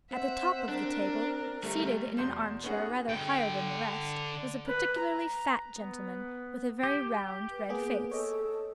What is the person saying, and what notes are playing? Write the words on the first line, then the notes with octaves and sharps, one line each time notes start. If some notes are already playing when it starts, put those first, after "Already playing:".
At the top of the table, seated in an arm-chair rather higher than the rest, was a particularly fat gentleman with a very round, red face.
C4 C5 E5 F#5
D4 A#4
G3 A3 A#4
E2 B2 C6 G6 E7
B3 C#4 D#4 F#4 G#4 F#5
D3 G5
B4
A#5
B3
G4
B4
A#3 B3 G#4
A4 C#5 D#5